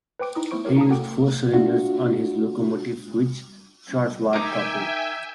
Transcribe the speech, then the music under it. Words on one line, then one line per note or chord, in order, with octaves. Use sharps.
He used four cylinders on his locomotives, which Churchward copied.
B4 C5 G5 D6 D7
D#4 E4 D#6
A3 B3 E4 C5 C#6 D7
F#4 G4 A#4 C#5
D#4 F5 A5 A#5 D#6
F#4 A4 F#5 G5 D6 D7
D4 F4 F#4
D#4 A#4 E5 G5 G#5 D6